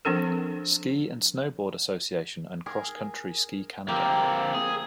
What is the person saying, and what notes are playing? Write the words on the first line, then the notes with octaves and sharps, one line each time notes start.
Ski and Snowboard Association and Cross Country Ski Canada.
F3 C4 D4 A4 A#4
G#4 A#4
F3 A#3 C4 G4 A#4
G#4